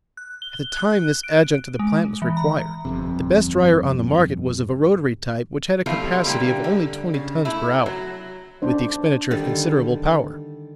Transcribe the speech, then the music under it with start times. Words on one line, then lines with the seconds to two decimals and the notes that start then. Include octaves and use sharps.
At the time this adjunct to the plant was required, the best dryer on the market was of a rotary type, which had a capacity of only twenty tons per hour, with the expenditure of considerable power.
0.17 F#6
0.42 G7
0.73 F#6
1.23 D7
1.79 G#3
2.22 E3
2.37 A#5
2.85 G1 F2 C3
5.86 F3 G3 A3 C4 E4 F4
6.25 D3 G3 A#3 G4
6.64 D3
7.14 C#3
7.45 A3 E4
7.86 F#3
8.62 D4 C5
9.31 D3 D#3 G3